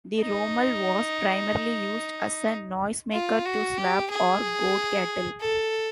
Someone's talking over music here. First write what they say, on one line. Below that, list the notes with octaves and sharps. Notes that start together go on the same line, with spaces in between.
The "romal" was primarily used as a noisemaker to slap or goad cattle.
D#4
F4
F#4
G4
G#4
A4